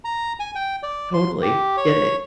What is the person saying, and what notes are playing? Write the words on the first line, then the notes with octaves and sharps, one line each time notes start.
totally get it.
A#5
G#5
G5
D5
C6
G4
C#5